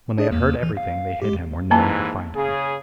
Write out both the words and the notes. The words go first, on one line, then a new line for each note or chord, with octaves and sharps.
When they had heard everything, they hid him where no one could find him.
D4 G#4 D5
E2 A#3
E3
F5
G#3 G4
D#2 G#2 E3 A#3 A5 A#5
C#3 G#4